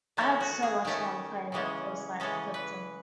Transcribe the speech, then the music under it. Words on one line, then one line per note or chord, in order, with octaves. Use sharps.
I had so much fun playing that first night with Clifton.
D#3 A3 C#4 A4
F#4
G#4
D#3 A3 C#4
C#3 E3 G#3 C#4
C#3 E3 G#3 C#4 A4
B4